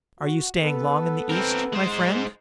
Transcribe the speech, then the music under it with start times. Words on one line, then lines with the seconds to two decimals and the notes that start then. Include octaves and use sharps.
"Are you staying long in the East, my friend?"
0.20 F#4
0.61 B3 A4 B4
1.30 C4 A#4
1.73 G#3 C5